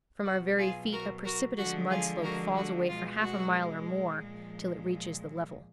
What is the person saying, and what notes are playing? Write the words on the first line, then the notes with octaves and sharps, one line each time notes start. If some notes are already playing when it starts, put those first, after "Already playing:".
From our very feet a precipitous mud slope falls away for half a mile or more till it reaches the level.
B2 F#3 F#4
F4 G#4
F#4 A#4
F#4 A#4
D3 F3 G#3 F#4
F4 G#4
F#4 A#4
F#4
B2 G#3 F4
F#4
A#2 F3 G#3